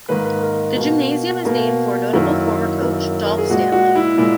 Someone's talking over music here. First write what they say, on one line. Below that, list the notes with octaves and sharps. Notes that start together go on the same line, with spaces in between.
The gymnasium is named for notable former coach Dolph Stanley.
G#2 D#3 A#3 B4
B4
A#4
B2 A#3
B2 A#3
F#2 D#3 A#3 E4
E4
F#2 D#3 A#3
A#4
G#4
A#2 G#3 F#4
F#4
E4
A#2 G#3 E4